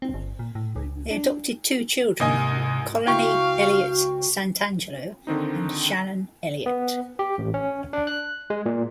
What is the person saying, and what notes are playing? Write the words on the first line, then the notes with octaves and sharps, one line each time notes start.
They adopted two children, Colony Elliott Santangelo and Shannon Elliott.
C4
G1
A#2
A2
C#2
D4
C2 G#2 C3 A#3 D#5 G#5
C#2 E4 F#4 F5 G5 C#6
D3 D#3 C4 D#4
B3
G4
A1
C#4
D4
F#6
G#3
A#2